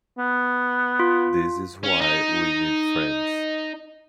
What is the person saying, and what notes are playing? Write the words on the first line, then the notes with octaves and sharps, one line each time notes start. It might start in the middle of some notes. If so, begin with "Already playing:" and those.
This is why we need friends.
B3
F4
C#4
D#4